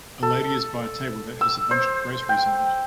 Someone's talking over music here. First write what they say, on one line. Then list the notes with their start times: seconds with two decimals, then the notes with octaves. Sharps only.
A lady is by a table that has a bunch of groceries on it.
0.23 A4
1.41 E6
1.71 C5
2.29 G5